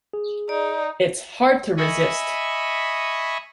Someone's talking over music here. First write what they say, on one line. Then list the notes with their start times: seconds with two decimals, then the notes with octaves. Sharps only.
It's hard to resist.
0.13 G#4
0.49 D#4 D5
1.77 D#5 E5 G#5 B5 C#6 D#6